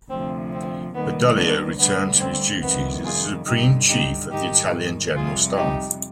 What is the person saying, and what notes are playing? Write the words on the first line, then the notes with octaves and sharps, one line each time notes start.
Badoglio returned to his duties as the Supreme Chief of the Italian General Staff.
D2 C3 F3 C4
C4
D#2 D#3 G3 B3
B3 D4
D2 D3 G3 B3
C4
F2 C3 D#3 G3 B3
F4 G#4
G2 D3 G3 D#4 G4
D#4 G4
G#2 D#3 G3 D#4 G4
F2 C3 G3 F4 G#4
D#4 G4